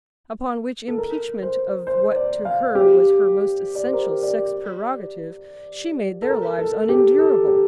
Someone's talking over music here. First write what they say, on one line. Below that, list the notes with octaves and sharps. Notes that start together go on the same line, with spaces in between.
Upon which impeachment of what to her was her most essential sex-prerogative, she made their lives unendurable.
A4
A#4
C5
C5
D5
F5
G4
D5
C5
A#4
D5
A4
A#4
A4
G4
A4
G4